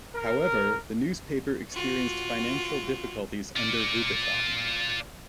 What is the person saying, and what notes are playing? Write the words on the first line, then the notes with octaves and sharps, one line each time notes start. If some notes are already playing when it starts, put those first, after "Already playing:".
However, the newspaper experienced financial difficulties under Rubython.
A#4
F4 F#4
F4 D5